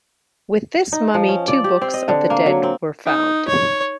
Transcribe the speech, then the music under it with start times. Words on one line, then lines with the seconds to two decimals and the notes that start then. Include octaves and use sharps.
With this mummy two Books of the Dead were found.
0.92 D#4
1.14 F3
1.29 C#4
1.48 D5
1.64 G4
1.82 C4
1.94 D#5
2.08 D3
2.30 A#3
2.46 F#3
2.63 C4
3.05 D#4
3.48 C#5